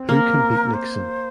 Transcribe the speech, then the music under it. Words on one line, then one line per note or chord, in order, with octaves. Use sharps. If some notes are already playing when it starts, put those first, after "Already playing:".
Who Can Beat Nixon?
Already playing: C4
A#3 A#4
C5